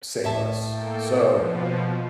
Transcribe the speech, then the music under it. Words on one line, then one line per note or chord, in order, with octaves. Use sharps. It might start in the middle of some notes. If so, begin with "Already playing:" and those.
save us. So,
A2 E5 A5
A#3 A4 G5
B2 F3